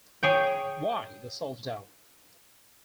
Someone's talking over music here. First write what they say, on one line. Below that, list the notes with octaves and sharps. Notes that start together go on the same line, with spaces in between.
Why the self-doubt?
G#4 C#5 G5